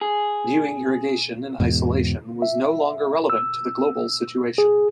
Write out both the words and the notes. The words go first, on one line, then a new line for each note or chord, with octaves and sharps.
Viewing irrigation in isolation was no longer relevant to the global situation.
G#4
E2 G#2 B2
E5
E6
G#4